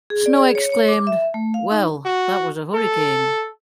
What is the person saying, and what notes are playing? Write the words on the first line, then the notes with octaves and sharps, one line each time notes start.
Snow exclaimed, Well, that was a Hurricane.
G#4
D5
G#4
C#5
C#5
D6
E5
A3
F5
D#4
F#4
A4